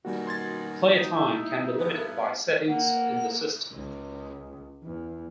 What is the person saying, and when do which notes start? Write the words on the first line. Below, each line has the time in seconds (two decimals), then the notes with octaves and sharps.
Play time can be limited by settings in the system.
0.05 F#2 B2 D#3 G3 A#3 F#4
0.27 C6 G#6 A6
0.94 D#4
1.13 E4 E5
1.78 G2 B3
2.68 A#3 F#5
3.73 C#2
4.83 E2